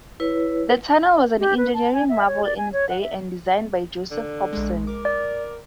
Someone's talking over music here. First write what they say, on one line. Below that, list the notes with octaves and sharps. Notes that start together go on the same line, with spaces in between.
The tunnel was an engineering marvel in its day and designed by Joseph Hobson.
E4 B4 C#5
G4
B4
A5
G#5
E5
C#5
D5
G#5
C#5
F#5
E5
D3
A#1 G#3
A#4 D6
D5